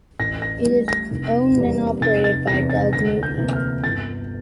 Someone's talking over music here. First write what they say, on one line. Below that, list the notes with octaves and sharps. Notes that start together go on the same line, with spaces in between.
It is owned and operated by Doug Moody.
A1 A#6
A#6
A2 G3
A#6
F1
E2 C3 G3 A#3
F1 A6
A6
E2 C3 A#6
A6
D2 A#6
G6
C3 E3 A#3
F6
G1 A6